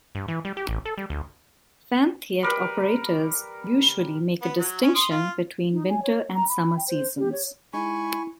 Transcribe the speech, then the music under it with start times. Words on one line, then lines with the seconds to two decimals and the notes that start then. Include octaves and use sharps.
Phan Thiet operators usually make a distinction between winter and summer seasons.
0.15 G2
0.28 E3
0.45 G3
0.57 G4
0.69 A1
0.85 A4
0.98 G3
1.10 D2
2.43 G3 A#4 B4
4.42 B3
4.59 F#3
4.82 C#4
4.95 C6 D#6
5.10 F4
5.73 D#4
5.89 G#5
6.02 C#5
6.35 A#5
6.49 B5
6.77 G5
6.88 C5
7.18 G4
7.32 C#5
7.74 G#3 D#4 E4 G#5 B5 C#6